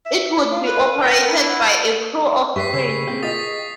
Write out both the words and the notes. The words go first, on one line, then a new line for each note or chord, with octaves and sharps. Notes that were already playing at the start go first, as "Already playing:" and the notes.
It would be operated by a crew of three.
E5
F4
B4
A#4 G5
D4 E4
F#5
G4 B4 D5 E5 C#6 B6 C7
C#3 G#4 B5 E6
A#3 C4 G#4 G5
F4 D#5 D#6 A6 B6